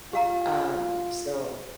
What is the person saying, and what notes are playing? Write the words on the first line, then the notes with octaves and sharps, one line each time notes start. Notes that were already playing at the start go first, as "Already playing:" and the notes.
Um, so,
F4 G4 F5 A#5